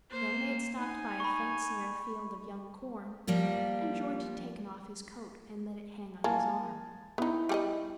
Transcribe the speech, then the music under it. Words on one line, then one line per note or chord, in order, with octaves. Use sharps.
Then they had stopped by a fence near a field of young corn and George had taken off his coat and let it hang on his arm.
A#3 C5
D#4 G#5
B5 C#6
F3 G3 A#3 F4
A#3 G#5 A5
B3 D#4 E4
G3 G#4 D#5